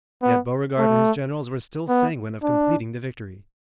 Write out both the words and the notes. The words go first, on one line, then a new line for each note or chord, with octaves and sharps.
Yet Beauregard and his generals were still sanguine of completing the victory.
B3
A3
B3
D4